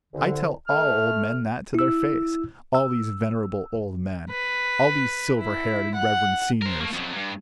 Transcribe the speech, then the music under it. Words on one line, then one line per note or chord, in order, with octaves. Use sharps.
I tell all old men that to their face, all these venerable old men, all these silver-haired and reverend seniors!
C2 D3
A3 F6
E4 E6
E6
B4
E4
F#5
A#4 C5
A3 A#3
F2 F#3
G2